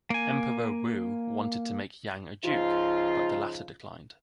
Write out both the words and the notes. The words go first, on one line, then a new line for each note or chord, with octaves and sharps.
Emperor Wu wanted to make Yang a duke, but the latter declined.
A#3 G#5
C#3 F3 D#4 F4